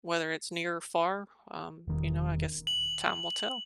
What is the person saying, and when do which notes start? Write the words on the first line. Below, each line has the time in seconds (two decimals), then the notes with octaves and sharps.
whether it's near or far, um, you know, I guess time will tell.
1.88 E1 D#3
2.67 F#7